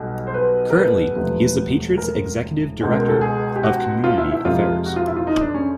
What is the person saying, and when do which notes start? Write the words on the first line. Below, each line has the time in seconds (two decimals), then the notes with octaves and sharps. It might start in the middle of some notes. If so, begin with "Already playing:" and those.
Currently, he is the Patriots' executive director of community affairs.
Already playing: B1 B2 G3
0.27 C5
0.34 B4
0.70 A#4
0.75 B4
1.15 E1 D2 C3 F3
1.98 A#4
2.81 C#2 B2 G#3
2.93 A#4
3.08 A4
3.21 G#4
3.56 G4
3.63 F#4
4.04 F4
4.18 E4
4.31 E4
4.45 F2 C3 F3 G#3 F4
4.86 F#4
4.96 F4
5.07 E4
5.16 F4
5.27 D#4
5.41 D4
5.54 C#4